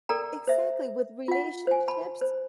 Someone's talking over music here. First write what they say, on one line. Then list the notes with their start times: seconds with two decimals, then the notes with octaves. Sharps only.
Exactly with relationships.
0.09 A4 A#4 D5 G5 A#5
0.47 C5 E5
1.28 F4 F#5
1.67 C5 G#5
1.88 A5 B5
2.21 C5